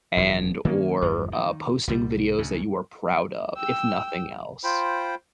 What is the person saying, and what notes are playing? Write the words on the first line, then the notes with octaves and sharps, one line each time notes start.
and, or, uh, posting videos that you are proud of, if nothing else.
E1 E2 F3
D#3 A#3 C#4
G1 E2 G2 F3
D#3
C2 B2 F3 G3
D2 C#3
G5 E6
F4 C5 G5 B5